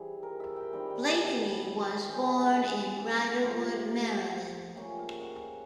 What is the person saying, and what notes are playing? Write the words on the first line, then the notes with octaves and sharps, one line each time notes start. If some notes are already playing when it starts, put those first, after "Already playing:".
Blakeney was born in Riderwood, Maryland.
Already playing: E3 G3 C4 G#4
A#4
E5
G5
D#3 G3 C4 G5
G5
G#5
A5
E3 G#3 C#4
C3 F3 A3 C6
C#3 F3 A#3 C#4 G5
F5
F#5
F5